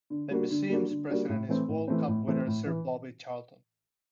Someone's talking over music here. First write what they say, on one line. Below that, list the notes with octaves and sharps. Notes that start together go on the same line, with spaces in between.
The museum's president is World Cup winner Sir Bobby Charlton.
D3
G3 A#3 D4 F#4
D3
G3 A#3 D4 F#4
D3
G3 A#3 D4 F#4
A2
E3 A3 C4
A2
E3 A3 C4
A2
E3 A3 C4
A2
E3